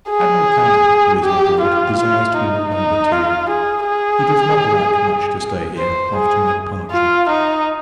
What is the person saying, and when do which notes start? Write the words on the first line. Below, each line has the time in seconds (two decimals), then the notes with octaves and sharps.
Admiral Campbell, who is on board, desires to be remembered to you. He does not like much to stay here, after my departure.
0.09 G#4
1.23 G4
1.61 F4
1.99 F4
2.37 D#4
2.75 D#4
3.12 F4
3.50 G#4
3.88 G#4
5.78 C5
6.16 G#4
6.92 F4
7.29 D#4